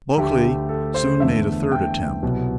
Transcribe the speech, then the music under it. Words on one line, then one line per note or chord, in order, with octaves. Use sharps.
Bulkeley soon made a third attempt.
D2 D3 A3 G4
A4
C5
E2 D3 A3 E5
G5
C2 B2 F#3